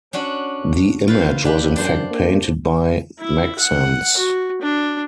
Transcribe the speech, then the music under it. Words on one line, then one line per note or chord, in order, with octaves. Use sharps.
The image was in fact painted by Maxence.
C#4 D4 F#4
F4 B4 C5
D4 G4 B4
F#2 D4 C5
A#3
E4
F#5
F#4
D4